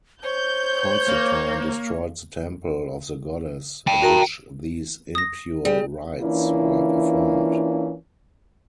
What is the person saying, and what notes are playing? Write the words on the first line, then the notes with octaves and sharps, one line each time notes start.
Constantine destroyed the temple of the goddess in which these impure rites were performed.
C5 C#5 G6
A#3
G5 A5
F#4 A#4 A#5
D#6 A#6
G3 G#4 G5
E3 A#3 C#4 D4 E4 F4